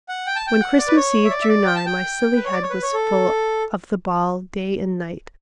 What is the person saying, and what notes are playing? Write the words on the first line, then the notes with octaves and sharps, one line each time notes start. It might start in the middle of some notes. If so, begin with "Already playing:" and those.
When Christmas Eve drew nigh my silly head was full of the ball day and night.
F#5
G5
A5
G5
F#5
D5
B4
C#5
E5
D5
E5
D5
G5
A5
G5
B4
C#5
D5
C#5
B4
C#5
A4